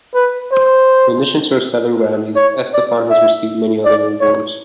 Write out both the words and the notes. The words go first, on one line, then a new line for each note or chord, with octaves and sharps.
In addition to her seven Grammys, Estefan has received many other awards.
B4
C5
C#5
D5
E5
D5
C#5